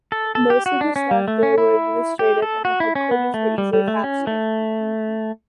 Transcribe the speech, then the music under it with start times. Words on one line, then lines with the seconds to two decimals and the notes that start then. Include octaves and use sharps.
Most of the staff there were administrative and the headquarters were easily captured.
0.12 A4
0.35 A4
0.50 G4
0.66 F#4
0.81 D4
0.96 C#4
1.11 G3
1.28 A3
1.43 C#4
1.58 E4
2.19 G4
2.42 A4
2.65 F#4
2.80 E4
2.95 C#4
3.11 B3
3.34 A3
3.58 G3
3.73 G3
3.88 A3
4.04 C#4
4.27 A3